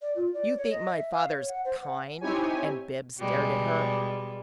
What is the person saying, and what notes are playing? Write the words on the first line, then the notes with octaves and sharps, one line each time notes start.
"You think my father's KIND?" And Bibbs stared at her.
D5
F4
D5
C#5
D#5
E5
F5
C#5
F#5
C5
F#5
C4 D#4 E4 G4 C#5 G#5
B2 G3 G#3